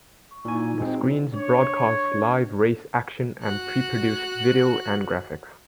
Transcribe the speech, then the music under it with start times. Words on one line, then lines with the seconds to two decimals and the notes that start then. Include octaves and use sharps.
The screens broadcast live race action and pre-produced video and graphics.
0.31 C#6
0.45 A#2 D#4 E4 G#5
0.80 G#3 C4 F#4 A#5
1.34 D4 C#5
3.43 F#4 F#6